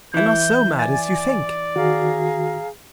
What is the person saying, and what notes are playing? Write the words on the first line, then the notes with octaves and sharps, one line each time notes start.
I'm not so mad as you think.
E3 E4 G6
D5 G#5 A6
D#3 F#4 G#4 F5 A#5